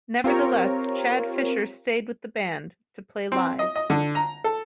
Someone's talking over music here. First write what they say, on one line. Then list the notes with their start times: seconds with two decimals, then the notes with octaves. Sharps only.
Nevertheless, Chad Fischer stayed with the band to play live.
0.24 C4 F4 G4 A#4 C#5
3.32 C4
3.59 D#5
3.76 D#5
3.90 D3
4.15 A#5
4.44 A4